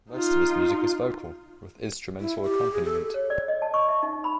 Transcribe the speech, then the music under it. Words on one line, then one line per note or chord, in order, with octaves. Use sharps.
Most of his music is vocal with instrumental accompaniment.
D#4 F4
E4
G4
G#4
A4
C#5
D5
D#5
A5
C#6
E5
D#4
B5